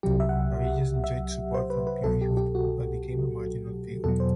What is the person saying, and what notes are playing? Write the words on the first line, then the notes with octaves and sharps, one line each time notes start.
Varillas enjoyed support from Pierre Huet but became a marginal figure.
C2 C3 F#3 G4
E5
F#5
E5
C5
B4
B4
C2 B2 F#3 A4
G4
G4
F#4
E2 B2 F#3 A4
C5